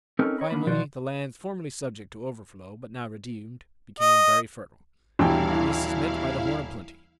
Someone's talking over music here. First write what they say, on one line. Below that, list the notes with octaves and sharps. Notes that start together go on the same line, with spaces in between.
Finally, the lands formerly subject to overflow, but now redeemed, became very fertile, and this is meant by the horn of plenty.
C4 C#4 D#4 A4 A#4
C#5 D#5 B5
D3 A#3 B5
B2 D#3 F3 F#4 D5 C6
D#5
D#1 G2 B2 E3 E4 F5 G5